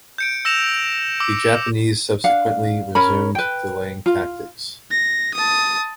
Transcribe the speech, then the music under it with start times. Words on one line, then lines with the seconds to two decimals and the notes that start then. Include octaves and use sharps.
The Japanese subsequently resumed delaying tactics.
0.18 G6 C#7 D7
0.45 E6 A#6 E7 F7
1.20 D6 E6
2.24 D4 F5 F#5
2.95 C#4 A#4 B5
3.35 B4 G5
4.06 F4
4.90 A#6
5.34 A5 D#6